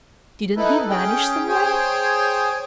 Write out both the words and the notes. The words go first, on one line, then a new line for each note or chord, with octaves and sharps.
"Didn't he vanish somewhere?"
D#4 E4 A4 B4
C#4 G#4 G5
G#4 C5 C#5 G5 G#5